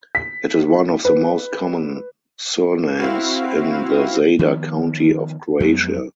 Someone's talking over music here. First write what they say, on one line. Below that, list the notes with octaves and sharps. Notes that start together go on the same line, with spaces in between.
It is one of the most common surnames in the Zadar County of Croatia.
B6
B4
C4 E4 F#4 F5
D#3 F3 B3
F2 F#3 G#3 B3